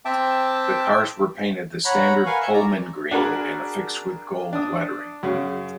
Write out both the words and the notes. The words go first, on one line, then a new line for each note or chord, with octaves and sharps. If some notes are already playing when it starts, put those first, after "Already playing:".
The cars were painted the standard Pullman Green and affixed with gold lettering.
C4 E5 G5 A5 D6
C#5 F#5 A#5 B5
A#4 B4 F5 F#5 G#5 C#6
E5 G#5 C#6
D5 A#5
D4 F#4 G#4 A#4 B5
D4 D#6
F#2 C#3